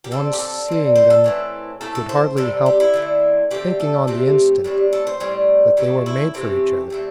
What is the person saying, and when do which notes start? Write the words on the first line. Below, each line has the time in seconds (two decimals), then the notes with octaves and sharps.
One seeing them could hardly help thinking on the instant that they were made for each other.
0.04 G4
0.11 D3 C4 A4
0.33 G4
0.39 A4
0.68 D3 C4
0.96 C5
1.10 A4
1.24 A2 E3 C4
1.81 A2 A3 C4 A4
1.95 A4
2.09 C5
2.37 C3 G3 C4 A4
2.66 G4
2.80 E4
2.94 D3 A3 C4
3.51 D3 A3 C4 G4
3.80 A4
4.07 C3 A3 C4 G4
4.64 A2 G3 C4
4.93 A4
5.07 C5
5.20 A2 G3 C4
5.77 A2 A3 C4 G4
6.06 E4
6.34 C3 E3 A3 C4 G4
6.90 D3 A3 C4